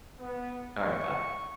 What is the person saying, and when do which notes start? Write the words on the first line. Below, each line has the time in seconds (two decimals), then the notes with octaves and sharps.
Alright, bye.
0.18 B3
0.79 C#6